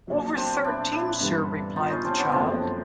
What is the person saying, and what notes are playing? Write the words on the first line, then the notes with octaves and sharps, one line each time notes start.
"Over thirteen, sir," replied the child.
A#1 A#2 F#3
C4 D4
D4 E4
D4 E4
G1 G2 E3 G3
D#4 F4
C#4 D#4
C4 D4
B3 C#4
F#1 F#2 C#3 F3 A3 C4 D4